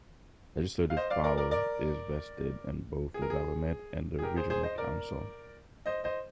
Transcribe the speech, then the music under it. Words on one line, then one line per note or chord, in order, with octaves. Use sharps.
Legislative power is vested in both the government and the Regional Council.
F5
C5 D#5
D5 F5
A#4 D5
A#4 D5
A#4 D5
G#4
A#4
G#4
G#4
G4 A#4
G#4 C5
G#4 C5
C5 D#5
A#4 D5
C5 D#5
C5 D#5